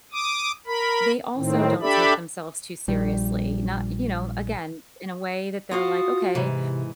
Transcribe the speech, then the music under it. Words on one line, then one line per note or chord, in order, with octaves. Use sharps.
they also don't take themselves too seriously, not you know, again, in a way that they're like, "Okay."
D6 D#6
A#4 B5
A2 D#3 C4
D4 G4 A4 D5 E5 B5
A#1 G3
F4 F#4 F5 D#6
G#2 C3 E3